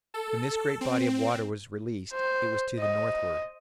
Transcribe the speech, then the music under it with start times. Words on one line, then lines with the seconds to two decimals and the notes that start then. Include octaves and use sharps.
When this great body of water was released it was to the northward.
0.14 A4
0.81 C4
2.14 C5
2.80 D#5